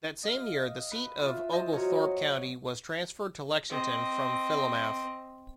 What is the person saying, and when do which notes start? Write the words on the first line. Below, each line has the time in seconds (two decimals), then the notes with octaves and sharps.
That same year, the seat of Oglethorpe County was transferred to Lexington from Philomath.
0.23 D#5 F5
0.92 B4
1.19 F4 E5
1.52 C5 D#5
1.73 F#3 C#5
3.69 C4 D#5